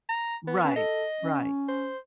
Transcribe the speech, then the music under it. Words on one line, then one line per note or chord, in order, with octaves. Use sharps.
Right. Right.
A#5
B3
C#4
A4 D#5
C#4
C5